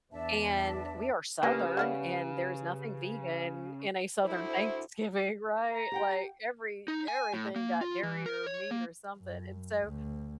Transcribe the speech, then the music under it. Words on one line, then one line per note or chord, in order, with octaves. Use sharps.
and we are Southern and there's nothing vegan in a Southern Thanksgiving, right? Like every everything got dairy or meat or something, and so,
E2 D4 E5 A5
C#3 E3 A#3 D4 F4 G4 B4
G3 B3 E4 F5
D2 E4 C5
A#5
G4 F#5 G5
D#4
G#5
A2
A#3
F4
E3
A#4
C#5
A#3
F#2
D2